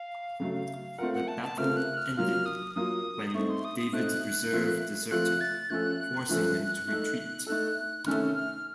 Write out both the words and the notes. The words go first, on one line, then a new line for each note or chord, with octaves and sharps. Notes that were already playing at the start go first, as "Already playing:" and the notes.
The battle ended when David's reserve deserted, forcing him to retreat.
Already playing: F5
C#3 F#3 A3
A3 C4 F4 A#4 F#5
F#5
A5
A5
A3 C4 F4 A#4 F6
F#6
F6
F#3 A#3 F4 F6
D#6
F#3 A#3 F4 D#6
D#6
A3 C4 D#4 C#6
C6
D#6
D#6
A3 C4 D#4 F#6
F3 A3 C4 F4 A4
F3 A3 C4 F4 A4 F#6
A6
F3 A3 C#4 A4 F#6
F3 A3 C#4 A4
A3 D#4 A4
A3 D#4 A4
C3 D#3 A3 C#4 A4 F6
F6